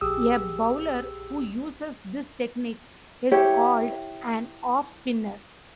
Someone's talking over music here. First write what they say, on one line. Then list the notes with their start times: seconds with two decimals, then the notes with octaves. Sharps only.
A bowler who uses this technique is called an off spinner.
0.01 A#1 G4 G#4 D#6 E6
3.31 E4 G4 C#5